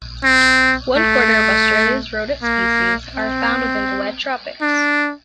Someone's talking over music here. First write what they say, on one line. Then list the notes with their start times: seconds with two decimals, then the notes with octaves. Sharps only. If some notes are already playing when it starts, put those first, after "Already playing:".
One quarter of Australia's rodent species are found within the Wet Tropics.
0.23 C4
0.97 A3
2.43 A#3
3.15 C4
4.62 D4